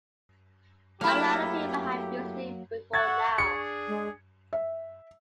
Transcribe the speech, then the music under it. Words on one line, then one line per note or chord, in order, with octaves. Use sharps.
A lot of people have used it before now.
F#3 A3 A#3 E4 G4 B5 F6
E5 F#5 C#6 G#6 A6
D4 G#4 C#7
G#3
E5